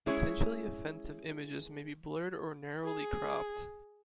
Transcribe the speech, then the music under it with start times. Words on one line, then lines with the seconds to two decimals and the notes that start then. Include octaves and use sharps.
Potentially offensive images may be blurred or narrowly cropped.
0.06 G#3 C#4 E4 G#4 C#5
2.83 G#4